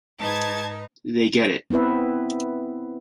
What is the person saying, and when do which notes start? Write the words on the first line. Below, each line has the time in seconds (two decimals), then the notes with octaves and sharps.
They get it.
0.20 G#2 D#4 B4 A5 G#6
1.70 B3 C4 E4 B4 E5